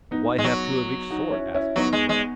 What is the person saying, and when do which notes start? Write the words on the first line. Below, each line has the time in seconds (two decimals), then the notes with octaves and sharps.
"But why have two of each sort?" asked Danglars.
0.11 B3 D#4
0.38 G#3
0.44 F#3
1.10 D#4 F#4
1.32 C#4 E4
1.54 C#4 E4
1.76 F#3 B3 D#4
1.93 G#3
2.09 G#3